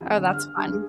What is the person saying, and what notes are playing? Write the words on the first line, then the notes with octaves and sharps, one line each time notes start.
Oh, that's fun.
F2
G1
F6
G2
G#4